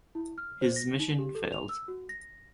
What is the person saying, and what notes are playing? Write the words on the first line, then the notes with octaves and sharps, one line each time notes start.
His mission failed.
E4
F6
C5
A#6
D#4
G4
A4
F7
E6
F#4
A#6